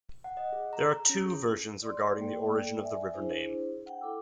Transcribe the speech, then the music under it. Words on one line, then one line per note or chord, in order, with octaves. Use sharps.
There are two versions regarding the origin of the river name.
F#5
D#5
G#4
A#5
A#5
C#4
G#4
D5 C6
A#3 A4 D5 G5
D5 E5 G#5
D4 E4 G#4 C5
F#5 G5
E4 A4 D6 E6